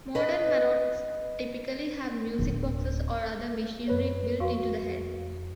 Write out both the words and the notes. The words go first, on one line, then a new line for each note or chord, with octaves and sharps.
Modern marottes typically have music boxes or other machinery built into the head.
B4 D#5
D1 D4
F#2 B4 C#5
F2 F#4 F5 C#6